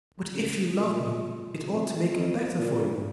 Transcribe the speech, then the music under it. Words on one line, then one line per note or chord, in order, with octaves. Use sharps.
But if you loved me it ought to make it better for you.
C#3
A#2
F2
F2
A#2